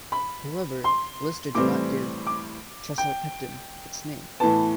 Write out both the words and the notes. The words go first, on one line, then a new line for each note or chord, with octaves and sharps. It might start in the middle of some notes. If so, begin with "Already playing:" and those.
However, Lister did not give "Chesapecten" its name.
B5
C6
A2 E3 G3 C4 D6
D6
G5
A2 E3 B3 A5